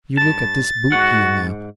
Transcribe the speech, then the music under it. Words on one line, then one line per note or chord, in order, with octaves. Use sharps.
You look at this boot heel, now.
G2 A5 A6
G#2 F#4 F#5